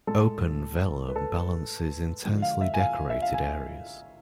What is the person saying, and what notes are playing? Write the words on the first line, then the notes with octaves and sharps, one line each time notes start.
Open vellum balances intensely decorated areas.
A2 G#3 A4
B4
A4
D3 F3 G#3
F5
E5
G#5
F5
E5
F5
G#5